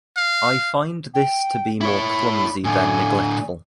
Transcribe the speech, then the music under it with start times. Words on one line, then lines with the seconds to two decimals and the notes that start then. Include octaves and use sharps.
I find this to be more clumsy than neglectful.
0.17 F5
1.14 G5
1.81 E4 C#5 B5
2.65 A2 D3 G#5